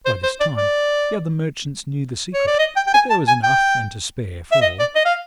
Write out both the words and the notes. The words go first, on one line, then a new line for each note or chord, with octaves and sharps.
By this time the other merchants knew the secret, but there was enough and to spare for all.
C5
C5
D5
D5
C#5
D5
D#5
G5
G5
G#5
A5
G#5
G5
E5
D#5
D5
D#5
F5